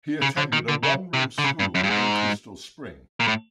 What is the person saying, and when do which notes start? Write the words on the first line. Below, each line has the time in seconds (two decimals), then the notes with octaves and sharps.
He attended a one-room school in Crystal Spring.
0.22 C#3
0.37 D3
0.53 D#3
0.68 D3
0.83 C#3
1.14 C3
1.38 D3
1.44 C#3
1.59 G2
1.75 F#2
1.83 G2
1.90 G#2
3.20 A#2
3.28 A2